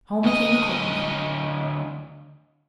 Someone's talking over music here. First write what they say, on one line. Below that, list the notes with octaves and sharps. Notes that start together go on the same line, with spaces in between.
Home we came accordingly.
D2 D#5